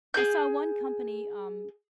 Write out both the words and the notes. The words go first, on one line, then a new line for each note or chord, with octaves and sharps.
I saw one company, um,
G#4 G6